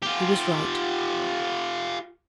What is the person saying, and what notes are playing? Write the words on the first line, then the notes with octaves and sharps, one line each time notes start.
He was right.
F4 G4